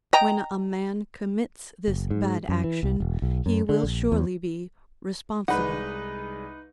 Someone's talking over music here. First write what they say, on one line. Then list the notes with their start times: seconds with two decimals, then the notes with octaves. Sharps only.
When a man commits this bad action, he will surely be responsible.
0.13 D#5 G5 A#5
1.88 F#1
2.10 G#2
2.49 F#2
2.64 E3
2.83 C2
3.00 E1
3.22 B1
3.46 F#2
3.69 D3
3.83 A#1
4.12 E2
5.48 C2 G#3 D#4 B4 F#5 F#7